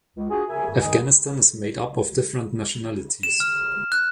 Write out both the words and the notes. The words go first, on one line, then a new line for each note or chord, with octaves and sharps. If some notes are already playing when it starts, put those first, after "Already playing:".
Afghanistan is made up of different nationalities.
C#2
D4 F4 F#4 G#4
G#4 A#4 E5 G#5
E2 G#2 D#3 A3 D#5 G#5
E7
F6
F#6